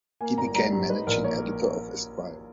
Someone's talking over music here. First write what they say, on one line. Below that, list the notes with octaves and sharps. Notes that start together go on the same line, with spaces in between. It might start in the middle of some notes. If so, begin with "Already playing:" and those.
He became managing editor of "Esquire".
A#3 G#5
G1 A#5
G3 A#5
G2
D#4 B4
A#1 A#4
A#3 C#5